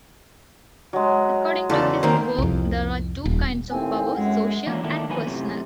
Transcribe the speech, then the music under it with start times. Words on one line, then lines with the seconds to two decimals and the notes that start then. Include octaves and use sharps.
According to his work there are two kinds of power, "social" and "personal".
0.93 F#3 G#3
1.70 E2 C#3 A4 D5
2.03 D#3 A#3 C4
2.38 C2 F2
3.25 D#1
3.71 D#2 A2 C4 G#5
4.15 F#2 G#3 F#5
4.67 E3 F#3 A#3 C#4 D4 F4
4.83 D#3 A3 A#3 D4 E4
5.09 G2 D#3 F3 F#3 B4 G#5
5.26 F#2 A2 C3